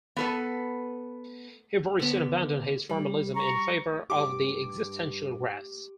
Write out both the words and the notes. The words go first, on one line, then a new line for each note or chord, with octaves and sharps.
He very soon abandoned this formalism in favor of the existential graphs.
B3 A4 B4
D3 B3
G3
A#5 C#6
G2 G4 D6